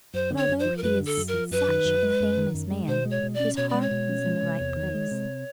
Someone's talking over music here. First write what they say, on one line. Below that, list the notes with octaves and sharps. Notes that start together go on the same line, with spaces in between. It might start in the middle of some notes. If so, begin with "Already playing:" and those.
But although he is such a famous man his heart is in the right place.
F#2 C5
D3
C#5
F#2
C5
F3
A#4
F#2 B4
D3
A4
F#2
A#4
F3
F#2 B4
D#3
F#2
G#3
F#2
D#3
F#2
G#3
B2 C5
G#3
C#5
B2
D5
C#4
B2 C#5
G#3 D5
C#5
B2
C#4
G#3
C3
E2
D#3
G#3
C3